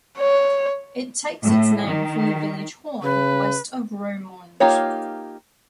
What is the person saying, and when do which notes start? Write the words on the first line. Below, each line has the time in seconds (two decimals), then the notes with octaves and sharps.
It takes its name from the village Horn, west of Roermond.
0.18 C#5
1.43 A2
1.89 D#3
3.03 C#3 B4
4.60 A#3 D#4 F4 G4 C#5